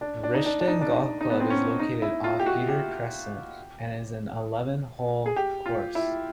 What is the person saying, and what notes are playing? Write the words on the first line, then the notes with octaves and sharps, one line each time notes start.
Rishton Golf Club is located off Petre Crescent, and is an eleven-hole course.
D4
D4
D#4
D4
D4
D#4
D4
D#4
D#4
B3
C4
C#4
D#4
E4
F4
G4
F#4
G4
G#4
G4
F4
E4